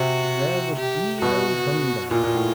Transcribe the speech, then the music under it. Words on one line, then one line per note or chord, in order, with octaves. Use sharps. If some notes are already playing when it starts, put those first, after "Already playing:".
There would be no bungling.
Already playing: C3 F#4
G4
B2 F#4
A#2 F4
A#2
A2